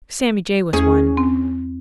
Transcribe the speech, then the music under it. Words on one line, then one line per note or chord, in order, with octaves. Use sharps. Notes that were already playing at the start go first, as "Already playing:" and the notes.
Sammy Jay was one.
E2 C#4 G#4
C4